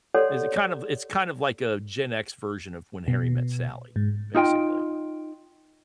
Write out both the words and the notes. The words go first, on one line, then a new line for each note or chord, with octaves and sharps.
is it kind of it's kind of like a Gen X version of When Harry Met Sally, basically.
G4 A4 C#5 D5 F#5 C6
B2
G#2
D#4 F4 G5